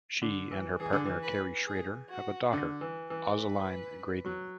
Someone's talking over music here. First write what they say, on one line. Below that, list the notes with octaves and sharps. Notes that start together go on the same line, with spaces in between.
She and her partner, Carrie Schrader, have a daughter, Ozilline Graydon.
D3
E3
E3 G#4
D3
E3
B4
G#4
F#4
D3
E3
E3
B4
F#3